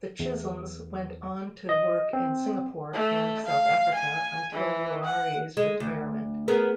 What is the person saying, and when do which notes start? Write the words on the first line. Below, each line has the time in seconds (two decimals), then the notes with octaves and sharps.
The Chisholms went on to work in Singapore and South Africa until Ruari's retirement.
0.19 E2
1.69 D#5
2.13 C4
2.93 A3
3.46 F5
3.94 G#5
4.52 E3
5.05 F#5
5.57 G#3
5.80 D2
6.48 B3 G#4 A#4